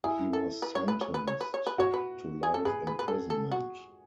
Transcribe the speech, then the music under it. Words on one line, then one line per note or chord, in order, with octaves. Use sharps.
He was sentenced to life imprisonment.
E4 G#4
A4
B4
C#5
B4
C#5
B4
C#5
B4
C#5
B4
F#4 C#5
B4
G#4
A4
G#4 B4
B4
B4
A4
A4
F#4